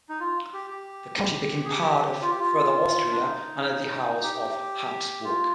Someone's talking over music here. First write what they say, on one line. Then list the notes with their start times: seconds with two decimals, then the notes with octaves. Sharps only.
The county became part of Further Austria under the house of Habsburg.
0.09 D#4
0.20 F4
0.53 G4
0.71 G4
1.65 G#4
1.71 G4
2.22 F4
2.30 G4
2.40 F4
3.11 D4
3.23 D#4
4.23 G4
5.24 F4